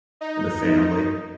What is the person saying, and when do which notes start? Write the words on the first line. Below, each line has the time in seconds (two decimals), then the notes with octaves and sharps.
and the family.
0.21 D#4